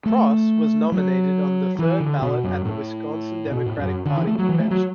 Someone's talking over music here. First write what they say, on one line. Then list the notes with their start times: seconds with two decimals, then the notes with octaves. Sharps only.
Cross was nominated on the third ballot at the Wisconsin Democratic Party Convention.
0.06 A3
0.92 F#3
1.79 E3
2.00 D3
2.22 B2
2.44 F#2
2.65 A2
3.51 B2
3.66 A2
3.80 F#2
4.05 D3
4.17 E3
4.27 A3
4.38 F#3
4.49 E3
4.60 A3
4.71 F#3